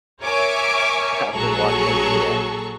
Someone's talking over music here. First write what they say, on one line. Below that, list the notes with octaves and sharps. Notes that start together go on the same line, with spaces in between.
I've been watching the, uh
A#4 C#5 E5 G#5 C#6 D6
A#1 F#3 G#4 A4 A#5 C#6